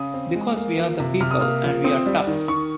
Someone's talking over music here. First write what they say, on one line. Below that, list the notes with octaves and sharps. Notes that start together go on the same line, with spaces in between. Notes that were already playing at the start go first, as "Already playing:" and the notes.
Because we're the people and we're tough!
Already playing: C#3 D#6
C4
G#3
A#3
F3
C3
C3 F6
D#6
A#3 F6
F3
C4 D#6
G3
D#3
D#3 C#6